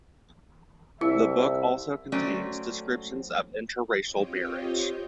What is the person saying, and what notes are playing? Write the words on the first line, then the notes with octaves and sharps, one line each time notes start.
The book also contains descriptions of interracial marriage.
C2 E4 E5
F#3 A3 C4 C#4 D5
C4 F4 G4 C#5 D#5 G5